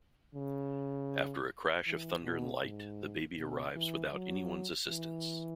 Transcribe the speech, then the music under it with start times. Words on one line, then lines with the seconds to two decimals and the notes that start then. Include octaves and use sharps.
After a crash of thunder and light, the baby arrives without anyone's assistance.
0.35 C#3
1.86 E3
2.24 B2
2.62 G#2
3.38 B2
3.76 E3
4.13 F#3
4.89 E3